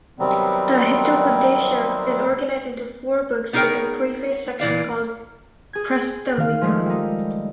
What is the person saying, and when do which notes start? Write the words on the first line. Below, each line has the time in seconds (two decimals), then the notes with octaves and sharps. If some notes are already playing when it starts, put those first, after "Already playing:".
The "Hitopadesha" is organized into four books, with a preface section called "Prastavika".
0.19 C3 D#3 F#3 G3 B3 C4
3.53 B3 D#4 G#4 A#4 C#5 G5
4.60 A#2 E3 D5 F5
5.73 G#4 G#6
6.38 D#3 F5 F6
6.61 F3 G#3 A3
6.86 G3 D#4